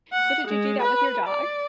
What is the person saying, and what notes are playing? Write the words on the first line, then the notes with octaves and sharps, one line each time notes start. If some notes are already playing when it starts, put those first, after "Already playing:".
So, did you do that with your dog?
F#5
G#3
B4
D5